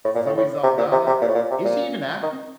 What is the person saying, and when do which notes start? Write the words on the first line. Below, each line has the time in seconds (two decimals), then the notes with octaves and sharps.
Zoe Saldana, is she even acting?
0.05 A2
0.15 A#2
0.26 A2
0.37 A2
0.63 C3
0.78 A#2
0.92 C3
1.07 C3
1.22 A#2
1.28 A2
1.35 A#2
1.51 C3
1.65 A#2
2.23 D#3